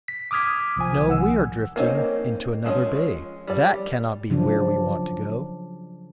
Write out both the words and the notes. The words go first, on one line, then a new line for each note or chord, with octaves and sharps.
"No, we are drifting into another bay; that cannot be where we want to go."
B6
D6 D#6 F6 G#6 B6
C2 F3 G#5
C2 D#3 F#5 E6
A#3 C4 C#4 D#4
F3 G#3 C4 C#4
G3 D5
C#3 F3 F#3 D4